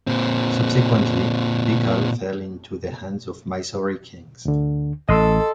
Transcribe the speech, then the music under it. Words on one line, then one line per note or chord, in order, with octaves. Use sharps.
Subsequently, Bekal fell into the hands of Mysore kings.
A#2 C4
D2 D3
A1 A4 D#5 C6 E6